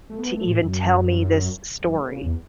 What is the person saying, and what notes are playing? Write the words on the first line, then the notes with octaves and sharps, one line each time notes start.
to even tell me this story,
A3
B3
A3
A2
F#2
F#2
A2
C#3
E2